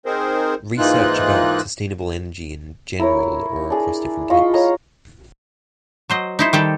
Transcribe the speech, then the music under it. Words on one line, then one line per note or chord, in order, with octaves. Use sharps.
Research about sustainable energy in general or across different types.
C4 D#4 G#4 A#4 C5
G#2 E3 A#3 D#4 F4 F#6
E4 A#4 C#5
D4 G#4
F4 D#5 B5 C#6
C#5 D#5 A#5
F#3 C5 D#5
D#4 E4 C5
D#3 G3 G4 A4